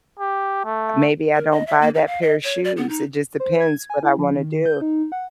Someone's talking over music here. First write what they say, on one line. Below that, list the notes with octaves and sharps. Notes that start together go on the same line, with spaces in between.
Maybe I don't buy that pair of shoes. It just depends what I wanna do.
G4
A3
A#4
D#5
E5
A#3
D#4
F5
D#5
C#5
D5
B3
D#4
C5
G#6
G#5
E4
F3
D#3
G6
D#4
F#5